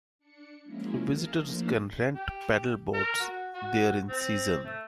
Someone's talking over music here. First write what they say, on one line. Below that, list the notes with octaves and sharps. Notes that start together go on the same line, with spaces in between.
Visitors can rent pedal boats there in season.
D4 C#7
F3 F#3 G#3 A#3 C#4 E4
G#4 A#4 F5 A5
F3 A3 A#3 D4 E4 C5
G4
A#4
F#4
F#4
C4
A3